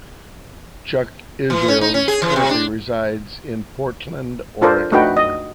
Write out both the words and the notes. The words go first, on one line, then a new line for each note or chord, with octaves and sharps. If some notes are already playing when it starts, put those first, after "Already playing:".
Chuck Israels currently resides in Portland, Oregon.
E3
C#4
D#4
C#4
G#4
E3
C3
D4
D4 F4 A4 A#4 C5 D5
A3 D4 D#4 F#4 B4 G5
D#5